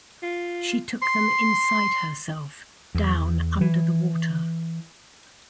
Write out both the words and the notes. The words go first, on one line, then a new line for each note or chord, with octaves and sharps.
She took them inside herself, down under the water.
F4
C6
E2
E3